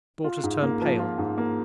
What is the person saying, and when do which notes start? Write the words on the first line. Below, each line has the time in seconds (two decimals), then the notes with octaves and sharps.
Daughters turn pale.
0.24 F4
0.44 G#2
0.63 A#3
0.82 F3
0.99 F4
1.18 G#2
1.38 A#3